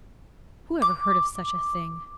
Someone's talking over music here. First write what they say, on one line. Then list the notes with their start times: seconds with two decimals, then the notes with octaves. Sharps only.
Who ever heard of such a thing!
0.82 D6